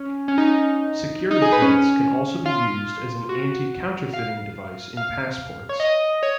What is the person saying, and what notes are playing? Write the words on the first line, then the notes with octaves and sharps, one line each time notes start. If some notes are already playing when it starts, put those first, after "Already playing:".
Security threads can also be used as an anti-counterfeiting device in passports.
Already playing: C#4
C#4
D#4
D#4
G#4
B4
C#4
F4
F#4
F5
F5
C#5
D#5
C#5